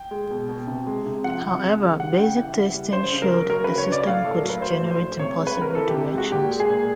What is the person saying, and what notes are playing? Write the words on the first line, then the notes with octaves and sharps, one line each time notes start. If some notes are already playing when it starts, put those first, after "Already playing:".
However, basic testing showed the system could generate impossible directions.
Already playing: G5
G#3
B2
B2
C3
G#3
C3
F3 F#5
C3
G#3
C#3
G3 F#5
C#3 G5
E3 F#5
C#3
G3
C#3 C5
C#3
A#4
F#3
F#3 A#4
C#3 B4
C#5
C#3 D5
A2 F5
A2 A4
A#4
F#3
B4
F#3 C5
A2
C5
A2
C3 C#5
G#3
B4
C3 A#4
E3 A4
C3 G4
G4
G#3 F#4
A#2 G4
G#3
G#4
A#2